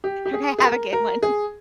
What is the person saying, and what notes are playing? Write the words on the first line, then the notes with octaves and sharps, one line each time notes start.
Okay, have a good one.
G4
G4
G#4
G#4
A#4
A#4
G#4